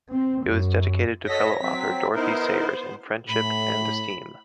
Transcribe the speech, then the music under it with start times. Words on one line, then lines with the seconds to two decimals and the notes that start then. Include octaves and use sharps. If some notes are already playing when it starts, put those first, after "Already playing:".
It was dedicated to fellow author Dorothy Sayers in friendship and esteem.
0.11 C4
0.44 F#2
1.28 F#4 A4 C#5 D#5 A#6 B6
1.62 F#3 C4 B6
2.15 B3 D#4 E4 A#4 C5
3.28 A2 B5